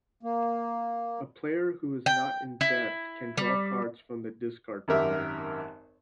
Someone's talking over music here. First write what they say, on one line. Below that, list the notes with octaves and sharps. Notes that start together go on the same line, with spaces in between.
A player who is not In Debt can draw cards from the discard pile.
A#3
G5
E4
G3
G#1 F#2 G4 A#4 E5